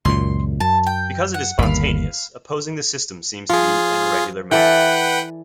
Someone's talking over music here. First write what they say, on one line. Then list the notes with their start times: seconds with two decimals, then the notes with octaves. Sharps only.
Because it is spontaneous, opposing the system seems to be an irregular manner.
0.05 C#2 F#2 A#2 C6
0.60 F#2 A5
0.87 G5
1.34 F#5
1.59 G1 D#2 D#3 F5 B5
3.50 F3 F4 G#4
4.51 E3 A4 B4 D5 F#5 G5